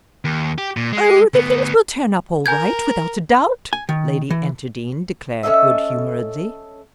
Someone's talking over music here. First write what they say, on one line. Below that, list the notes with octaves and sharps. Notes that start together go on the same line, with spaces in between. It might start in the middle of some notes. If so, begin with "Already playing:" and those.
"Oh! the things will turn up all right, without a doubt," Lady Enterdean declared good-humoredly.
D#2
G4
A#2
G#3
D2 B3
A#4 G#5 G6 G#6
G#5
D#3
E3
C#4 A4 D#5 E5